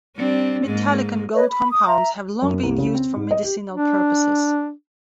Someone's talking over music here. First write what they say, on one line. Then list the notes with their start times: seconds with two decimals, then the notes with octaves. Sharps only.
Metallic and gold compounds have long been used for medicinal purposes.
0.17 G3 C4 D4
0.64 G#2 G#3 A#3
1.34 B4 C#5 D#5
1.50 B5
1.71 D#6
1.87 E5 A#5
2.42 F#2
2.63 C2
2.78 C#3
2.95 C4
3.16 G#2
3.31 D#5
3.44 G4
3.72 D4